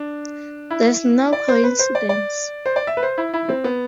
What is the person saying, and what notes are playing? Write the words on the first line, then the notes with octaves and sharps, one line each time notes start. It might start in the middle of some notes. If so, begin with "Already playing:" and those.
That's no coincidence.
Already playing: D4
E4
D5
C5
B4
C5
D5
D5
C5
D5
E5
B4
C5
E4
E4
C4
B3